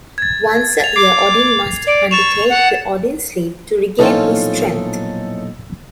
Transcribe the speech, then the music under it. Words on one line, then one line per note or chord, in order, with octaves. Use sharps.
Once a year Odin must undertake the Odinsleep to regain his strength.
G#6 A6
A6 F7
D6 C7
D5
C#6 A6 E7 F7
F#5
B1 A#2 E3 F3 C#4 D#4 F4 A4